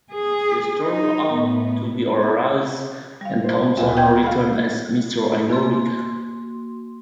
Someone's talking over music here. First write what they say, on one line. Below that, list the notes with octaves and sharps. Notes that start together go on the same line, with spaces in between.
This turned out to be a ruse, and Thompson returned as Mister America.
G#4
D#4
A2 B3
G3 F5
C5
D2 A#2 E5
G5 G6 G#6
A4 F5 F#5 B5
A#3 F#4 C6